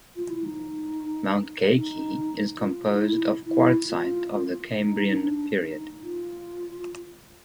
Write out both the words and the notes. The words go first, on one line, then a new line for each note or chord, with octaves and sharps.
Mount Geikie is composed of quartzite of the Cambrian period.
F4
E4
D#4
D#4
F4
D#4
E4
E4
F4
D#4
D#4
D4
D#4
F4